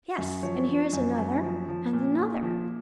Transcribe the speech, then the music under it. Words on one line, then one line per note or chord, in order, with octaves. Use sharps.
Yes--and here is another, and another.
F#2
F3 C#5
F3
F#2
F#2
F3
F3
A#2
A#2
F3